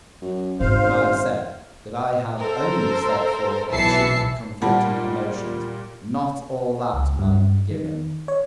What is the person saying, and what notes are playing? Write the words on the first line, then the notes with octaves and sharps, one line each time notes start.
But I have said, that I have only set forth the chief conflicting emotions, not all that might be given.
F#2
G#1 G#2 C#4 C5 F5
A4 A#4 C5
B1 E3 E5 A5 C7 C#7
A#2 G3 A#3 F#5 A5 B5
C#2
G2
D#3
C#5